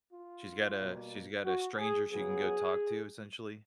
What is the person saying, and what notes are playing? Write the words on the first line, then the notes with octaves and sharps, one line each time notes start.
She's got a she's got a stranger she can go talk to, essentially?
F4
B2 G3 A#3
F#4
G#4
C#3 F#3 B3 G#4